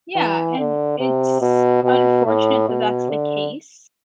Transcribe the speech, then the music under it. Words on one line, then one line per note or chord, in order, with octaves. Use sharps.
Yeah, and it's unfortunate that that's the case,
E3
D3
C3
B2
B2
A2
B2
D3